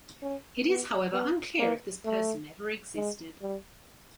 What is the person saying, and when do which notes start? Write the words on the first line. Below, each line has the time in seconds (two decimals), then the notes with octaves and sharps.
It is, however, unclear if this person ever existed.
0.22 C#4
0.68 B3
1.13 B3
1.59 A#3
2.05 A3
2.96 G#3
3.42 G3